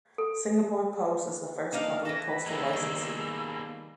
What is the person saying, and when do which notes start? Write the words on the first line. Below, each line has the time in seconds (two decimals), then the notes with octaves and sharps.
Singapore Post is the first Public Postal Licensee.
0.18 A4
1.73 A#3 D4 D#4 F5
2.05 E3 A4 A#6
2.26 B5
2.46 G#3 A#3 B3 E6
2.73 D#3 G3